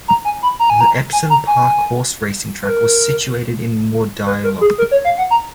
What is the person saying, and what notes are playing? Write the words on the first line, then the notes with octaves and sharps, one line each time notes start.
The Epsom Park Horse Racing track was situated in Mordialloc.
A#5
G#5
B5
A#5
G#5
A#5
G#5
A#5
G#5
B4
A#4
B4
A#4
G#4
A#4
C#5
F5
F#5
A#5